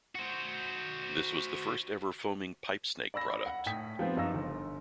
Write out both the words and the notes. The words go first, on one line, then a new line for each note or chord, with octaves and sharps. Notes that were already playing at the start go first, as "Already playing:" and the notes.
This was the first-ever foaming pipe snake product.
F#4 C5
D5 B5 E6 A#6
F#5
A2 G5 D#6 B6
F3 B3 C4
F#2 F3 D#4 C#6 E6 A#6
G1